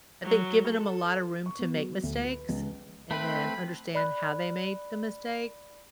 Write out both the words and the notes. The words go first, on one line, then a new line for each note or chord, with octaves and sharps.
I think giving 'em a lotta room to make mistakes, and then understand how they made the mistake,
F#3
A4
C#6
B3
F#3
D2
B4
C#2
A3 C4 B4 B5
D5 B5 F#6